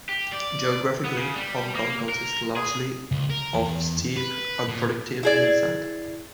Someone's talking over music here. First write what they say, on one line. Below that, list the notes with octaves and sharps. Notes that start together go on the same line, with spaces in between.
Geographically Hong Kong consists largely of steep, unproductive hillside.
G4
D5
B3
C#3
G3
A#3
A#4
G#4
C#2
A#4
E2
B4
A#2
E4 G#4 D5